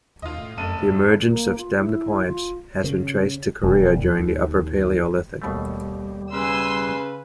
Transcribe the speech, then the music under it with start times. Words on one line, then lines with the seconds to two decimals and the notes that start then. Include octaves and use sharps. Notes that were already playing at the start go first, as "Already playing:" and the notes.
The emergence of stemmed points has been traced to Korea during the upper Paleolithic.
0.22 D#2 F4 D#5
0.38 A2
0.57 F1 F#2 A5 D#7
0.77 G#2
1.26 A#3
1.58 F4
1.79 E4
2.26 F4
2.84 C#3
3.63 E1
4.01 E2
4.19 D#2
5.42 D#2 B2 G3 A3
6.32 C#3 B4 G#5 C6 E6